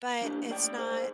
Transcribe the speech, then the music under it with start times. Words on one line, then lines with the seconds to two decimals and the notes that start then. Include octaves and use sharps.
but it's not
0.21 F3 A#3 D4 G4
0.49 A3 D5 G5
0.78 G#4 C5